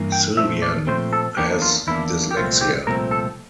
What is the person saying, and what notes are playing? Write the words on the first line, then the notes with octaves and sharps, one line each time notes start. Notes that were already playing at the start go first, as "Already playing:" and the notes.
Sylvain has dyslexia.
Already playing: G2 E3 A#3
G5
A#2 F3 A3 C4 E5
D5
A#2 F3 A3 C4 C5
A4
E2 E3 A#3 D4 G4
F4
E2 E3 A#3 D4 E4
G4
C2 A#2 F3 A3 C4 F4
G4
C2 A#2 F3 A3 C4 A#4
A4